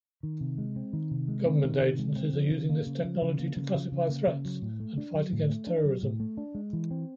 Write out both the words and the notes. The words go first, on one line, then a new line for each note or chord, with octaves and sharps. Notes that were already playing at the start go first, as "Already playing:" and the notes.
Government agencies are using this technology to classify threats and fight against terrorism.
D#3
C3
G#3
C4
D#3
C3
G#3
C4
D#3
C3
G#3
C4
F3
C#3
A#3
C#3
F3
C#3
A#3
C#3
F3
C#3
A#3
C#3
F#3
A2
A3
D4
F#3
A2
A3
D4
F#3
A2
A3
D4
G#3
E3
C4